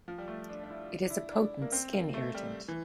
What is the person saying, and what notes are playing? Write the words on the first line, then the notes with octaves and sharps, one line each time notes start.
It is a potent skin irritant.
F3
G3
A3
D4
D4
E4
D4
E4
D4
A#3
C4
A#3
A3
G3
E3